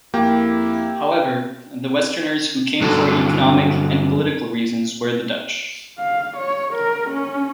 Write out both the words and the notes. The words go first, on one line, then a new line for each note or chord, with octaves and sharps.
However, the westerners who came for economic and political reasons were the Dutch.
F2 A#3 E4 G4
G2 D3 F#3 A4
F5
C#5
A#4
C#4